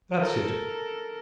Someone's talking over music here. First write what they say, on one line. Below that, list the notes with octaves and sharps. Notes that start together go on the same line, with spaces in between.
That's it.
A4 A#4